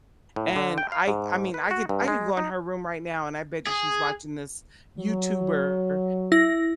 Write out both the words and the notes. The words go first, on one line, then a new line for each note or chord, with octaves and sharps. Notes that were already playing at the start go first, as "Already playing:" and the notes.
And I I mean, I could I could go in her room right now and I bet you she's watching this YouTuber
A2
D3
G5
F5
G#2
B4
F#4
G2
G#3
D#4
G#4
F#3
E4 A#6